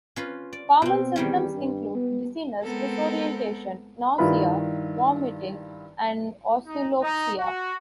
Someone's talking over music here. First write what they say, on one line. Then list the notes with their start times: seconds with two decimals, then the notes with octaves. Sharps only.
Common symptoms include dizziness, disorientation, nausea, vomiting, and oscillopsia.
0.16 C#4 F4 B4
0.53 D5
0.82 B2 C4
1.16 E2 D#3 G3 C#4
1.56 G2
1.95 B3
2.64 G#3 B3 C4 A4 A#4
4.18 G2 D#3 E4 F4 B4 B5
6.65 D#4
7.01 D#4
7.38 F#4